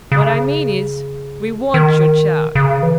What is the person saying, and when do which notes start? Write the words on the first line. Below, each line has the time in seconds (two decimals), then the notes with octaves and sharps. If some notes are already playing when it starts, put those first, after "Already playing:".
What I mean is, we want your chart.
0.12 C#3
1.74 D#3
2.55 C#3
2.83 E3